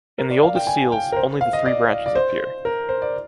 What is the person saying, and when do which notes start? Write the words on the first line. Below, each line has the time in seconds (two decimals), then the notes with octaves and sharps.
In the oldest seals, only the three branches appear.
0.18 A#4
0.30 D5
0.43 F5
0.55 G5
0.67 G#5
0.92 G5
1.12 A#4
1.16 C5
1.41 F5
1.53 D#5
1.66 D5
2.06 D5
2.15 C5
2.65 A#4
2.89 C5
3.02 D5